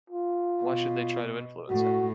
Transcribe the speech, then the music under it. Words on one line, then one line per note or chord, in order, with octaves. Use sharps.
Why should they try to influence him?
F4
B2
A2 F#4